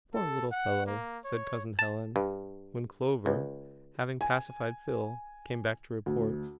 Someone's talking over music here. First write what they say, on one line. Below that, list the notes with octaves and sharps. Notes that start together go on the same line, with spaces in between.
"Poor little fellow!" said Cousin Helen, when Clover, having pacified Phil, came back to report.
A4
F#5
A#3
C#5
A5
G2
C#2
G#5
D2